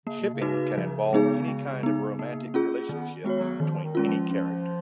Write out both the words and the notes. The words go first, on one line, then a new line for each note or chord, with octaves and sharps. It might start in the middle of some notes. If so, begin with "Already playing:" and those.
Shipping can involve any kind of romantic relationship between any character.
C#3 A#3
B2
C#3
D#4 F#4 B4
F3
G#3 B3 D#4 G#4
G#3
B3 D#4
A#3
C#4 F4 G#4
D#3 B3
G#3 B3 F#4 C#5
F#3
D#3 F3
D#3
G#3 C#4 F4
F3
C#4